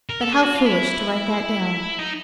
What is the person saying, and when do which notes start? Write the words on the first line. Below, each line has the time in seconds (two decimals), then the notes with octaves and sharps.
But how foolish to write that down!
0.09 A#4
0.21 A4
0.33 G#4
0.43 F#4
0.55 F4
0.66 E4
1.99 D#4